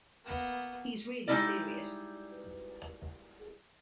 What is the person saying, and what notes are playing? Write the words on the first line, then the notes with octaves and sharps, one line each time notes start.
He's really serious.
A#3 B3
G3 G#3 D#4 E4 A#4 D5